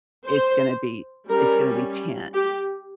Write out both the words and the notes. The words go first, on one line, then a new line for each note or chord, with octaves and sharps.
it's gonna be it's gonna be tense,
C5
G3 C#4 A#4
G4